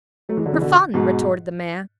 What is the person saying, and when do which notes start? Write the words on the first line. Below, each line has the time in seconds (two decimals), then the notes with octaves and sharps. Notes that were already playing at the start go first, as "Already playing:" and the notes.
"For fun," retorted the man.
0.29 F#3 A3
0.37 E3 G#3
0.46 D3 F#3
0.53 C#3 E3
0.62 B2 D3
0.94 G#2 B2